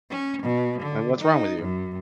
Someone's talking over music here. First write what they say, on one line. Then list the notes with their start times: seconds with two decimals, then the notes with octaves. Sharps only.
like, what's wrong with you?
0.10 C#4
0.42 B2
0.82 D3
1.21 D#4
1.62 F#2